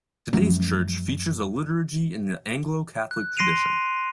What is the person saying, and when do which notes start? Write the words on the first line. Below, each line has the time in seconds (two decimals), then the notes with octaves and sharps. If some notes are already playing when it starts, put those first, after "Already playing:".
Today's church features a liturgy in the Anglo-Catholic tradition.
0.33 F#2 F3 G3 A3
3.11 F#6
3.37 C6 A#6 C7 D7 D#7 F7